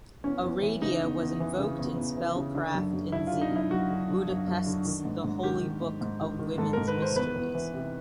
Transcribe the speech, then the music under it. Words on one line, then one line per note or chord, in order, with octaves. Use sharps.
Aradia was invoked in spellcraft in Z. Budapest's "The Holy Book of Women's Mysteries".
E2 C#4
E2
E3
C#3 D#4
E2
E2
E3
C#3
E2
E2
E3
C#3
D3
F#2
F#2
D3 E4
F4
D3
D#4
F#2 E4
F#2 F#4
D3
D3
F#2
F#2
D3
D#3
G#2
G#2
D#3 G4
D#3
G#2
G#2
D#3
D#3
G#2 A4
G#2 A#4
B4
D#3 C5
E2 B4
E2
E3
C3